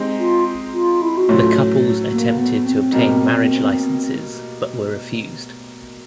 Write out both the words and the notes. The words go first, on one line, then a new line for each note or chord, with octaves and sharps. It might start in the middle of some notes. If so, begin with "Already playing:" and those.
The couples attempted to obtain marriage licenses but were refused.
Already playing: G#3 C4 D#4 G4
F4
F4
E4
F#4
A2 F#3 A3 C#4 F4
A#3
B3
C4
B2 G3 A#3 D#4